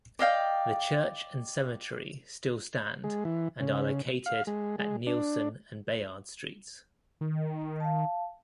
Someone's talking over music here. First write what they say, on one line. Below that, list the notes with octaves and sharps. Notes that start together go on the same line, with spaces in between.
The church and cemetery still stand and are located at Neilson and Bayard Streets.
D5 D#5 F5 G5
G#3
E3
C#3
F5
G#3
G#3
D4
D#3
F5 A5